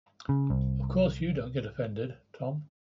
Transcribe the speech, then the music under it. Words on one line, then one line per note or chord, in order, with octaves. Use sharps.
Of course you don't get offended, Tom.
C#3
C2